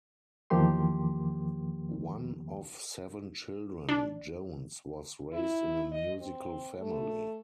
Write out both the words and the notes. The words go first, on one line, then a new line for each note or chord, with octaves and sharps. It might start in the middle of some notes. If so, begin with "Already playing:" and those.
One of seven children, Jones was raised in a musical family.
E2 D#3 F3 A#3 G4 C6
D4
E4
D#5
C4
A3